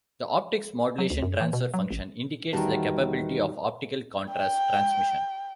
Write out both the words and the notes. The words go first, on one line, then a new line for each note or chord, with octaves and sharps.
In optics, modulation transfer function indicates the capability of optical contrast transmission.
F#3
D2
F#2
E3
B2
F#3
A1
E2 D#3 G3 F#4 A5
G5